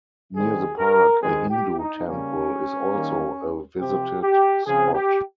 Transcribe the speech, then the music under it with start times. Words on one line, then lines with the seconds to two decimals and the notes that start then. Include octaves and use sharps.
Near the park a Hindu temple is also a visited spot.
0.36 D#3 G3 C4 G#4
0.79 A#4
1.22 D#3 G#3 C4 G#4
1.50 G4
1.79 D#4
2.08 C#3 G3 A#3 C#4
2.94 D#3 G3 A#3
3.80 C3 F3 C4 G4
4.23 G4
4.66 C#3 F3 C4 G#4
4.95 G4